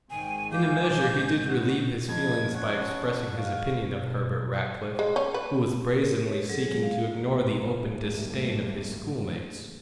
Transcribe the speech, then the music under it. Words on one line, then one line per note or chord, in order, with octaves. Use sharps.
In a measure he did relieve his feelings by expressing his opinion of Herbert Rackliff, who was brazenly seeking to ignore the open disdain of his schoolmates.
G#1 G#2 D#3 G5 G#5
F5 G#5 D6 G6
F#4
F2 G#6
C#4 F#5 C#6
F5 C#6
B2
G#3
C#4
B4
A#4
G4 B4 C#5
F#3 G#4 A4
G#3 G#4
F5
G#1 D2 A2 G3 A3 A#3